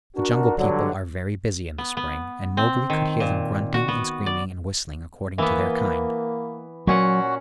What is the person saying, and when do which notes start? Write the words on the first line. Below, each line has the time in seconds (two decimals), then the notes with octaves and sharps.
The Jungle People are very busy in the spring, and Mowgli could hear them grunting and screaming and whistling according to their kind.
0.16 D4 F#4 A#4
0.56 G2 D3 F#3
1.78 B3
1.97 B3
2.57 C4
2.90 D#3
3.20 A#2
3.74 F#4
3.88 B3
4.26 D5
5.38 E3 A#3 B3
6.87 A#2 F#3 C#4 F#4 F#5